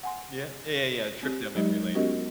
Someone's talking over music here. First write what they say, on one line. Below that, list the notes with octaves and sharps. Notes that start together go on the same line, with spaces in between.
Yeah, yeah, yeah, yeah, a trip down memory lane.
F#5 G#5 C6
C4 G4
F#3 G#3 D#4 G4 D#5
B3 C#4 F#4 G4 A#4 D#5